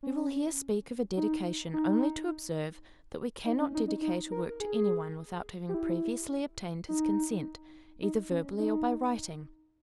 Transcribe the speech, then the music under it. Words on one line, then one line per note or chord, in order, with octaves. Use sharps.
We will here speak of a dedication only to observe, that we cannot dedicate a work to any one, without having previously obtained his consent, either verbally or by writing.
C#4
D#4
D#4
D#4
C#4
D#4
D#4
D#4
A#4
G#4
G4
E4
D#4
D#4
C#4
D#4